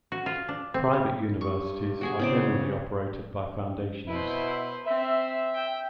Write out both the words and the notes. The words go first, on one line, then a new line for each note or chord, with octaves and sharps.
Private universities are generally operated by foundations.
F#4
F4
D4
C4
G3
G2 C#6
F#4 G#4 G#5
E2 C#3 C4 D6
B2 E4 B4 C5
C4 E5
G5